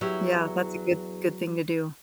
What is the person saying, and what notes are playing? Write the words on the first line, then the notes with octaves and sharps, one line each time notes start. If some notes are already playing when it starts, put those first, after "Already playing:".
Yeah, that's a good good thing to do.
E2 F#3 E4 G4